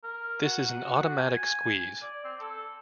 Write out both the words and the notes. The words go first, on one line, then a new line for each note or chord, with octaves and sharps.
This is an automatic squeeze.
A#4
F#4
G#5
D5
C4
A4